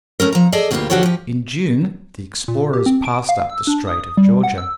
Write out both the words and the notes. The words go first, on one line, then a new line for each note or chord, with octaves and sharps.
In June the explorers passed up the Strait of Georgia.
A3 A#3 C#4 A#4
F3 A#5
G#4 A4 D5 D#5 A5
D2 B2 A#3 B3 F4 G4
D3 F3 F#4 G4 A4 C#5
F3 G4
A#2
G4
C4
D7
F5
E6
D4
D#6
G3
F#5
E6